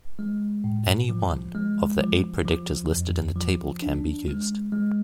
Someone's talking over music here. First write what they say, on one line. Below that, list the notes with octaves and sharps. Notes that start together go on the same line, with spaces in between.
Any one of the eight predictors listed in the table can be used.
G#3
A2
F3
G#3
F3
F3
F2
F3
D4
G#3
G#3